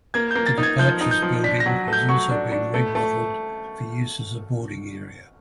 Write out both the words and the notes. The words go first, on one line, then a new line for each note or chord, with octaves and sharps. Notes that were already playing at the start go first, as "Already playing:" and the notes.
The departures building has also been remodelled for use as a boarding area.
A#3 G#6
A#3 G6
A6
D#4
G#6
F3 G6
D#4
G6
F3
D4 B6
A#6
F#3
A3 G6
F#3 C#6
D4
D4
A3
A3